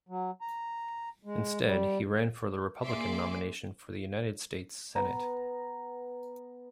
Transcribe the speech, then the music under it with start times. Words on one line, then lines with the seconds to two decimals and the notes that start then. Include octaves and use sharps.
Instead, he ran for the Republican nomination for the United States Senate.
0.09 F#3
0.41 A#5
1.25 G#3
1.64 G3
2.84 A#3 G#4 D5 E5 C6 D6
4.95 B3 A#5